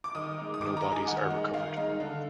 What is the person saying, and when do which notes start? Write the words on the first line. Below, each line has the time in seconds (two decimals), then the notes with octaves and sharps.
No bodies are recovered.
0.04 D6
0.15 D#3 D#6
0.38 G#3 D#4
0.54 D#6
0.61 D#3 D6
0.77 A#5
0.84 G#3 D#4
0.92 G#5
1.07 D#3 F#5
1.30 G#3 D#4
1.53 D#3 F5
1.76 G#3 D#4
2.00 D3